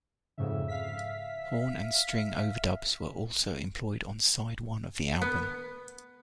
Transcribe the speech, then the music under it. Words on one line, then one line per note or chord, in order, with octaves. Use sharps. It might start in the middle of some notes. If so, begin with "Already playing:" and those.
Horn and string overdubs were also employed on side one of the album.
F2 G#2 C#3 E5
F5 B6
B3